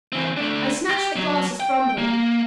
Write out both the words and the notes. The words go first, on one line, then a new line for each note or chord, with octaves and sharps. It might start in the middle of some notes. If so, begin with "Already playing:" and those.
I snatched the glasses from him.
E3 C4
A3 D4
G4
F#3
G5
A#3